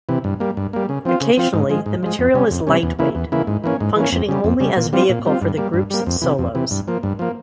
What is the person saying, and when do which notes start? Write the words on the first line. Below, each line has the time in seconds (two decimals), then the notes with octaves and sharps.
Occasionally, the material is lightweight, functioning only as vehicle for the group's solos.
0.09 C3 E3
0.24 G2
0.40 G3 A#3
0.57 G2
0.73 G3 A#3
0.89 C#3
1.05 F3 C4 F4
1.21 C#3
1.37 F3 C4 F4
1.54 G#2
1.70 F3 G#3
1.86 G#2
2.03 F3 G#3
2.19 F2
2.34 C3 G3 C#4
2.51 F2
2.67 C3 G3 C#4
2.83 E2
2.99 C#3 E3 A#3 E4
3.15 E2
3.32 C#3 E3 A#3 E4
3.47 G#2
3.64 E3 A#3 C#4
3.80 G#2
3.96 E3 A#3 C#4
4.12 F2
4.29 C#3 G3
4.44 F2
4.60 C#3 G3
4.77 A#2
4.93 G3 C4 F4
5.09 A#2
5.25 G3 C4 F4
5.42 G2
5.57 G3 A#3
5.73 G2
5.90 G3 A#3
6.06 F2
6.22 C3 E3
6.38 F2
6.55 C3 E3
6.71 G2
6.88 F3 A#3
7.03 G2
7.19 F3 A#3